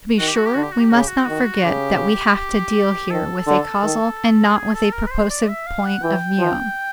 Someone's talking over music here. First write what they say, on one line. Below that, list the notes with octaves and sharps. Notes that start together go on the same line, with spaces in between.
To be sure, we must not forget that we have to deal here with a causal and not with a purposive point of view.
D#3 F#4
G4
F#4
G4
D3 F#4
G4
F#4
G4
C#3 F#4
G4
F#4
D#3
C#3 G4
D#3 A4
D3
D#3
G#4
A4
A#4
B4
C5
D5
E5
F5
F#5
E3 G5
F3